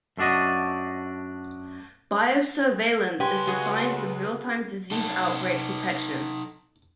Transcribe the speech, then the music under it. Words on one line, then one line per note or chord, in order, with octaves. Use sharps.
Biosurveillance is the science of real-time disease outbreak detection.
F#2 A3 D4 F#4 D#5
C#2 G4 B4 G#5 C6
F#4 G#4 D#5
D#4 A4